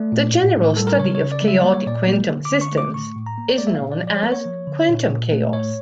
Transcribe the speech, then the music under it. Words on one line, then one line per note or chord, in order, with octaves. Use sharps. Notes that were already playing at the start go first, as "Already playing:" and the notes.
The general study of chaotic quantum systems is known as quantum chaos.
Already playing: A3 D5
A#2
A2
A2
G3 A4
A#4
C#3 C#5
C#5
C#3
D5
G3
E5
A#3 D5
C#5
A#2 D5
A#3
D3
D6
D3
C#6
A3
D6
A2 C#6
A2
A#5
A#3
C#5
A#3 D5
E5
F5
A#2
D5
F3
D5
C#5
A#3 A#4
C#5
F3
D3
A#2
A#2
A3
A2 C#5